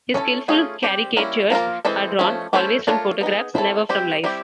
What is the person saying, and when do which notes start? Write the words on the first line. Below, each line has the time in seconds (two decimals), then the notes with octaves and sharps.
His skilful caricatures are drawn always from photographs, never from life.
0.14 C#4 E4 A4 C#5
0.48 A3 C#4 F4 G#4
0.83 G3 C4 D#4 G4 C5
1.17 G3 A#3 C#4 E4
1.50 F3 A#3 C#4 F4 A#4
1.85 E3 G#3 C4 E4 A4
2.19 F3 A3 C#4
2.53 A3 C#4 E4 A4 C5
2.87 A3 D4 F4 A#4 C#5
3.21 B3 D#4 G#4
3.55 C4 E4 A4 C#5
3.89 G3 C4 E4 G4 C5
4.24 G3 C4 E4 G4